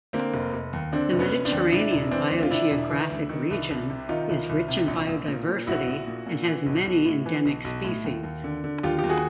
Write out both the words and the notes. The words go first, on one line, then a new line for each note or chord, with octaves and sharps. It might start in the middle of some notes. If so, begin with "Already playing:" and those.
The Mediterranean Biogeographic Region is rich in biodiversity and has many endemic species.
D3 A#3 C4
F1
F1
D#2
D3 C4 D4
F1
B3 C#4
F1
C4 D4
D#2
C3 D4 E4
E1
E3 C4 D4
D2
F4
C3 D4 E4
E1
E3
D2
D#3
C2
C2
C3
D#3 D#4 F4
C2
C2
C3
A#1
A#1
A#2
A#2
A#1 E4 F#4
A#1
A#2
A#2
E3
B1
B1
A2
E3
B1
B1
A2
D#2
D#2
D3
D3
D#2 F4 G4
G4
D#2
F#4 G#4